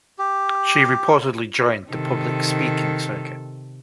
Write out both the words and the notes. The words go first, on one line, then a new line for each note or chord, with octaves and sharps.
She reportedly joined the public speaking circuit.
G4
C3 D#3 A4